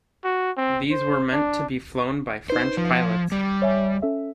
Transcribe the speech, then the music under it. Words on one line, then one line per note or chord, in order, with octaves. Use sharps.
These were meant to be flown by French pilots.
F#4
C4
C5
D4
D#4 B4 C5
F3
G#6
G3
C#5 E5 G#5
C#4 A4 E5